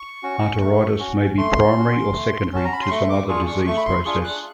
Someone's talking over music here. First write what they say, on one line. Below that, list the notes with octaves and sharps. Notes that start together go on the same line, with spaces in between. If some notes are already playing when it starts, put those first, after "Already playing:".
Arteritis may be primary or secondary to some other disease process.
Already playing: C#6
C#4 F#4
A3
C#4 F#4
A3 C6
C#4 F#4
A3
C#4 F#4 A5
A#5
B5
C6
A3 C#6
D6
D4 F4 G#4 C#6
C#6
A3 C#6
B5
C6
D4 F4 G#4 C#6
F#6